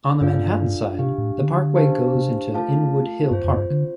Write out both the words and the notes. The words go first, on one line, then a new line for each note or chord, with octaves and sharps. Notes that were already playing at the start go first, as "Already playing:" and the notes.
On the Manhattan side, the parkway goes into Inwood Hill Park.
G2 D4 F4 A4 D5 F5
C3 D4 G4 F5
A2
D3
D4 G4 C5 F5 A5
C3
A3 F4 A4 F5 A5
G2 C4 F4 C5
F2
G2
D3